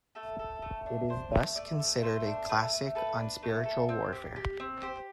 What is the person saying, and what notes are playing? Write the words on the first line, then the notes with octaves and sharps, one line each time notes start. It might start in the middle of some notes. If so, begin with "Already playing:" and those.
It is thus considered a classic on spiritual warfare.
A3 A4
A4
A3
D4
D4 C5
A3
A3 D5
A3
A3 C5
D4
A3 B4
A3
A4 B4
D4
A3
A4
C4
G4
G4
C4
G4 C5